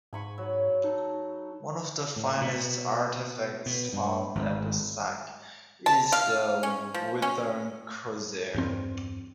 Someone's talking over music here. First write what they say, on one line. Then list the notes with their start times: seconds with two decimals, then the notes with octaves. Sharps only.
One of the finest artefacts found at the site is the Whithorn crozier.
0.13 G#2 G#5 B5 C#6
0.38 F#3
0.84 D#4 A4
2.16 A2
2.41 B2
3.66 B2
3.93 G2
4.35 G#1
5.86 A5
6.12 F5
6.63 C#4
6.94 F3
7.22 C#4
8.54 E2 G2 C4